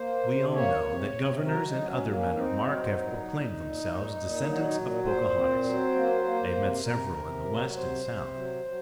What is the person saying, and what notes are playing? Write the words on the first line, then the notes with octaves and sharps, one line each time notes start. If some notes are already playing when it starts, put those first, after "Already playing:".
We all know that governors and other men of mark have proclaimed themselves descendants of Pocahontas; I have met several in the West and South.
Already playing: A#3 C5
C3
A#3 C#5
C3
C3
F#3 A#4
D#4
F#3
C#4
A#3
C#4
C4 D#4
F#3
A#2
A#2
A#2
A#2
A#2
F#3
A#2
A#2 C5
C4
F#3
A#3
A#3
C3
C3 A#4
C3
F#3
C3 C5
C3
F#3
F#3